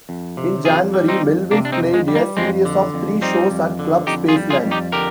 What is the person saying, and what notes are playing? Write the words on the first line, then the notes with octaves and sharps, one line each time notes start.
In January, Melvins played a series of three shows at Club Spaceland.
F2
C3
F2 F4 G#4
G3
C4 D#4
F2
C3 A#3 D4
D4
C4 D#4
F2
G#3
G3
A#3
F2 G#3 C4
D3
F2
G3 C4 D#4
F2
D3
F2 D#4 G4
F4 G#4
G3
F4 G#4
F2
D#4 G4
D3 G4 A#4